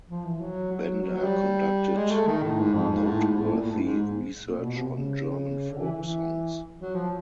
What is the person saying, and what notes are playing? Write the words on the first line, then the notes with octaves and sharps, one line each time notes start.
Bender conducted noteworthy research on German folk songs.
F3
E3
F#3
F#3
F#3
F#3
G3
G#3
A3
D#3
A2
G#2
F2
G#2
A2
G#2
A2
A#2
A2
G#2
G#2
A#2
B2
C3
C#3
D3
E3
E3
F#3
F3